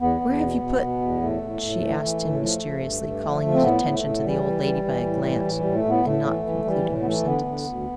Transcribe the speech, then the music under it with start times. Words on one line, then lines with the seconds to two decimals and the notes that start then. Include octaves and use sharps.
"Where have you put ---- ----?" she asked him, mysteriously, calling his attention to the old lady by a glance, and not concluding her sentence.
0.01 E2 B3
0.21 E2
0.42 B2
0.62 B2
0.81 B2
1.01 E2
1.22 A2 A3
1.42 A2
1.62 A2
1.82 E3
2.02 E3
2.23 A2
2.42 F3 A3
2.63 F3
2.83 G2
3.03 G2
3.23 F3
3.43 F3
3.53 C4
3.63 A2 B3
3.83 A2
3.93 A3
4.04 A2
4.24 E3 G3
4.44 E3
4.63 E3
4.84 E3
5.04 A2
5.24 E3
5.45 A2
5.60 A2 G3
5.75 A3
5.85 A2 B3
6.05 A2 A3
6.25 E3
6.45 E3
6.65 E3 G3
6.85 A2
7.01 B3
7.06 E3 A3
7.26 D3 B3
7.46 D3
7.66 D2